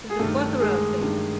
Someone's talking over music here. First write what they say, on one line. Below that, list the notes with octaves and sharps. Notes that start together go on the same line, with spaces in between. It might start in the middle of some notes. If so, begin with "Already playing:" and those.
There's a plethora of things.
G#4
G2 D#3 A3 A4
G#3 G#4
G2 D#3